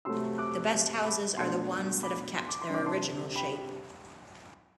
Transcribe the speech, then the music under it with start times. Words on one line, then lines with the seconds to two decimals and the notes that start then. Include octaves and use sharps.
The best houses are the ones that have kept their original shape.
0.05 C3 F#3 A3 C6 E6
0.38 D6 F#6
1.04 B5 D6
1.38 B2 A3 D4 A5 C6
2.03 B5 D6
2.36 C6
2.49 D6
2.62 C6
2.69 C3 G3 D4 D6
2.86 A5 C6
3.36 G5 B5